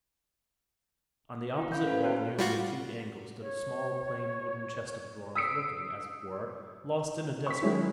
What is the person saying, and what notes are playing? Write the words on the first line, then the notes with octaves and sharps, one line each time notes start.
On the opposite wall near the acute angle stood a small plain wooden chest of drawers looking, as it were, lost in a desert.
E4 F#5
C#4 F5 B5 G6
G4 A4 B4 C5
B3 F#4 B4 C5 F#6
G3 F4 F#4
C#5
D#6 E6 B6 C7 D7
C#6 B6
D#3 F#3 G#3 C#4 E4